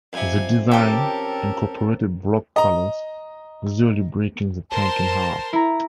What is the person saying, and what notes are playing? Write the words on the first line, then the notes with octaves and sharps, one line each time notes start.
The design incorporated block colours, visually breaking the tank in half.
F2 C3 G#5
C#4 G4 A4 A#4
D#5 A#5
A#4 C5 A5 C6
E4 A#5